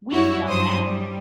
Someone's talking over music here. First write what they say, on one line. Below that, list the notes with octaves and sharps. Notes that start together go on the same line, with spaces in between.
We've done that.
F#2 G3 E4 F#4 C#5
G2 F#3 C5 D#6
G3